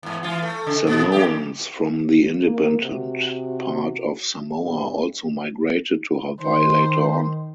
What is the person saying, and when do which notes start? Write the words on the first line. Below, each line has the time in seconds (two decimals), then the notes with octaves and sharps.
Samoans from the independent part of Samoa also migrated to Hawaii later on.
0.03 E2 G#2
0.23 E3 F4
0.42 A3
0.67 C#3
0.87 A#2
1.12 F2 A#2 G4
2.44 A#3
2.81 C3 F#4
4.61 E2 G2 B2 G3
6.41 D#3 C5